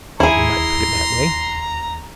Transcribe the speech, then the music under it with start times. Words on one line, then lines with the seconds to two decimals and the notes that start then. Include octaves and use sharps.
"You might put it that way."
0.20 D#2 E4 G#4 A#5 C6